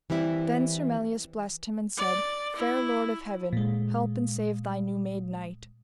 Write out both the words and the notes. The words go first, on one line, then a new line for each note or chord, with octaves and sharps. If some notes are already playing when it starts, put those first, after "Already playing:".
Then Sir Melias blessed him and said: Fair lord of heaven, help and save thy new-made knight.
E3 G3 C4 E4
D5
E4
A#2 G#3